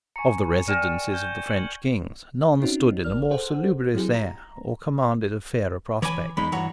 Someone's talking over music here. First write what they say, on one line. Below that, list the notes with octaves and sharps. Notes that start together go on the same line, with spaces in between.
Of the residences of the French kings none stood in a more salubrious air or commanded a fairer prospect.
G#5 A#5 C#6 C#7
A#4 D5 G5 G#5 D#7 E7
G6 G#6 G7
C#7 F#7
C4 C#4 D#4 F#4
G#1 A#4 D5 F6
G#4 A4 C5 F#5
F#3 C4 E4 G4 G#4
A#5
E3 C#5 G#5 B5 D6
E2 G#3 D#4 B5
G2 E3 F#4 C#5 A#5